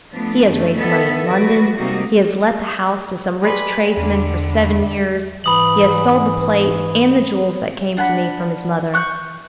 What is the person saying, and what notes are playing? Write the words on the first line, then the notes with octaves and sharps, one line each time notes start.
He has raised money in London; he has let the house to some rich tradesman for seven years; he has sold the plate, and the jewels that came to me from his mother.
F3 A3 B3 D4
F#2 A3
D#3 B3 A4 E5
F#3 F#4 B4 D5
C3 G3 A#3 D#4 F#4
G3 G#3 B4 G#5
E2 D3
G#2 E3 B5 D#6 F#7
D4 F#5 G#5 B5
C#6 F#6 G6